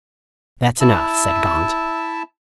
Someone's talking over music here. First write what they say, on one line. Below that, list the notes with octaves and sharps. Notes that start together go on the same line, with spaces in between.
"That's enough," said Gaunt.
E4 E5 A5